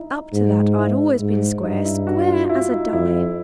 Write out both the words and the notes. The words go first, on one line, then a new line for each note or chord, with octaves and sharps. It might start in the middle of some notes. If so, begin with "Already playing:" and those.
Up to that I had always been square,--square as a die!
Already playing: D#4 E4
G#2
E4
G#2
G2 D#4
E4
F#4
F4
E4
D#4
F2 E4